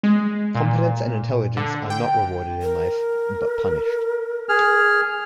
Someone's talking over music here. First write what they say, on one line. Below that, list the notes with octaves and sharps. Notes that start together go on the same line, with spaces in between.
Competence and intelligence are not rewarded in life but punished.
G#3
A#2
D3
G5
A#4
G#4 F6